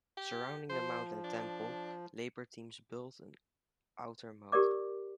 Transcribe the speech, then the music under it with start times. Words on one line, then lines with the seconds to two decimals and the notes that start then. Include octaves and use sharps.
Surrounding the mount and temple, labor teams built an outer moat.
0.17 G4
0.69 F3 C5
1.24 D4
4.52 G4 A#4 D5 D6